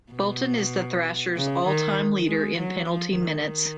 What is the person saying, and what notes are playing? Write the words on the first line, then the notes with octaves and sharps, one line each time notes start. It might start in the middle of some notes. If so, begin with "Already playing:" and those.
Bolton is the Thrashers' all-time leader in penalty minutes.
B2
C#3
D#3
G#3
F#3
F3
D#3